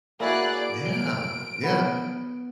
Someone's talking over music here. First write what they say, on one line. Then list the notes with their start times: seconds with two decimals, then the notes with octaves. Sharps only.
Yeah, yeah.
0.20 A#3 E4 F#4 G#4 D5 F#6
0.62 D7
1.63 B3